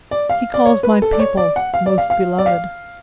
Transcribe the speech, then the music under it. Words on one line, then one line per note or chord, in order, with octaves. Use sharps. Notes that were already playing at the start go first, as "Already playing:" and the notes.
"He calls my people 'most beloved'."
D5
F5
D5
C#5
B4
A4
D5
C#5
D5
F#5
F5
D5
F5
F5
D5
F5